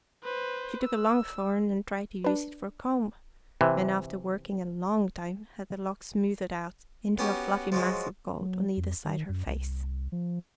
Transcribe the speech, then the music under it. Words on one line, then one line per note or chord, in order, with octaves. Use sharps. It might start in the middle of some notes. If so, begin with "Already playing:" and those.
She took a long thorn and tried to use it for a comb, and after working a long time had the locks smoothed out into a fluffy mass of gold on either side her face.
B4 C5
E6
D4 B4
C3 E3
B3 C#4 F#4 G4
F3 F#3 G#3
F#3
F2
D#3
F#2
C2
F3